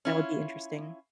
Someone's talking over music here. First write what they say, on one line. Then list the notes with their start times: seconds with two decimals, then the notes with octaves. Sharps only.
That would be interesting.
0.05 C#4 E4 F4